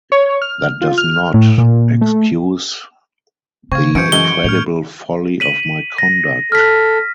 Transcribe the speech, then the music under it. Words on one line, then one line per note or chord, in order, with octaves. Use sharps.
That does not excuse the incredible folly of my conduct.
C#5
F6
F4
F6
A2
A#2
A3
C#3 C4 F5 C#6 G#6
F#2 A#2 E3 F3 G6 C#7 D7
F#2 G#3 G7
A2 F6 C#7 F7
B6 D#7 F#7
A#6
A4 F6 B6